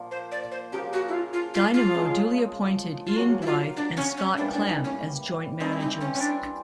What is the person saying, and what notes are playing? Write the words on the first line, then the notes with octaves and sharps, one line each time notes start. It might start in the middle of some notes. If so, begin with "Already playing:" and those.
Dynamo duly appointed Ian Blyth and Scott Clamp as joint-managers.
Already playing: A#2 F3 A#3
C5
D5
C5
C#3 F3 A#3 G4
F#4
E4
F4
F4
F4
F4
C#3 F3 G#3
F4
C#3 F#3 A#3 F#4
E4
F4
D4
C#4
C#4
A2 E3 G3 A#3 D4
D4
D#4
C#4
E3 G3 C4 D#4
E4
D#4
C#4
C#4
D4